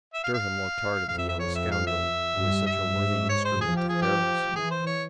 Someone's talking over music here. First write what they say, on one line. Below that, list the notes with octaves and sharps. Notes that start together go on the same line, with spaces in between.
Durham looked hard at the young scoundrel who was such a worthy instrument of Beryl's.
E5
F5
F5
F2 F5
E5
E5
C#5
E5
F5
E5
G2
E5
G#2
C#5
C5
F3 G#4
G4
G#4
G4
E3 G#4
C5
C#5